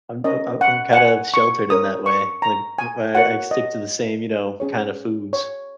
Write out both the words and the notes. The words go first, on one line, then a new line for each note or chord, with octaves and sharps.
I'm uh I'm I'm kind of sheltered in that way. like, I I I stick to the same, you know, kind of foods.
C#4 A#4 C#5 D#5
F#5
F#5
G#5
C#6
C#4 A#4 C#5 D#6
C#6
A#5
G#5
F#4 A#4 C#5 F#5
D#5
C#4 G#4 C#5
C#5